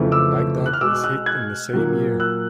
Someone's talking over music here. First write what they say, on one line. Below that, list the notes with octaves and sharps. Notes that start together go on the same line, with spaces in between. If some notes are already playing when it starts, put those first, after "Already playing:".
Baghdad is hit in the same year.
Already playing: F2 C#3 E3 A3
D6 E6
F#6
F6
B2 G#3 D6 E6
E6 F#6
F#6 G#6
A#2 F#3 A#3
E6 F#6